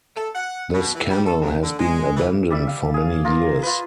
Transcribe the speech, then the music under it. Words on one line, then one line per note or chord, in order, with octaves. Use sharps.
This canal has been abandoned for many years.
A4
F#5
B2
E3
G3
A4
D#2
D3
G#3
E3
G3 D5 E5
F5
G#4 F5
F4 A#4
F4 B4